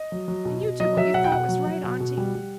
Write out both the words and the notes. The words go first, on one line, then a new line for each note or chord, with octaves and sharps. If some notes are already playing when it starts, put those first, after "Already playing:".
And you did what you thought was right, Auntie.
Already playing: D#5
F#3
F#3
B2
B2
F#3 D#5
F#3 E5
B2 F#5
G5
B2 F#5
F#3
F#3
B2
B2
G3
G3